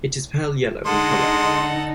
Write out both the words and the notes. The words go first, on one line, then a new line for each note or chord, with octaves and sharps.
It is pale yellow in colour.
D3 G#3 D#4 A4 F#5 C6